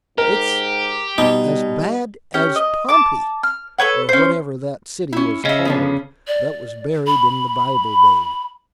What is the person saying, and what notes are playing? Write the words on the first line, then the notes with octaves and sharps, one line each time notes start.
"It's as bad as Pompey, or whatever that city was called that was buried in the Bible days."
G#2 G4 A#4
B2 G3 D#4
C#4 G4
D#5
A5 D6
F6
A4 B4 C#5 F#5
C#4 C5
C#4 E4
C#3 C#4 D#5 E5
D3 F3 B3
D5
B5